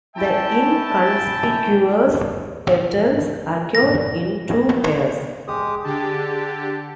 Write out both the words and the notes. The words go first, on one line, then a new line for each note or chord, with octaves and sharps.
The inconspicuous petals occur in two pairs.
C#4 E4 E5 G5 A5
A#6
G#3 G4 G#4 D#6
D3 G4 A5